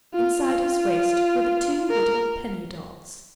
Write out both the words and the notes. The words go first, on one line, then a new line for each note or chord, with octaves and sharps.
Inside his waist were the two little penny dolls.
F4
F4
A#4